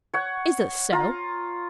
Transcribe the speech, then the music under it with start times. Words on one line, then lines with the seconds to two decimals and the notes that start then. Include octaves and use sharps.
Is this so?'
0.14 C#5 F#5
0.92 F4 A#5